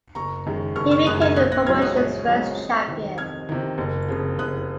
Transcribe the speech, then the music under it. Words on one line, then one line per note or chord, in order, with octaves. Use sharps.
He became the promotion's first champion.
F#1 A#5 C#6
F#2 D#3 G#3
F#1 C#6 F6
C#6 F6
F#2 D#3 G#3 D#6 F#6
F6 G#6
A#1 D#6 F#6
F#6 A#6
G#2 F#3 C#4 F6 G#6
D#6 F#6
A#1 D#6 F#6
G#2 F#3 C#4
F2
C3 D#3
F2 F6 G#6
C3 D#3
F#1
F2 C#3
F#1 D#6 F#6